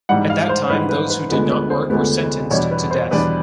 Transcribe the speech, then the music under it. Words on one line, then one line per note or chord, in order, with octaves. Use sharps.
At that time, those who did not work were sentenced to death.
G#2 E3 G3 F#5
F5
C5
G#2 E3 G3 B4
B4
B4
D2 D3 F3 G#3 B3 B4
B4
C5
D2 D3 F3 G#3 B3 B4
E2 B2 G3 B3 D4 C#5
B4
C5
E2 B2 G3 B3 D4 B4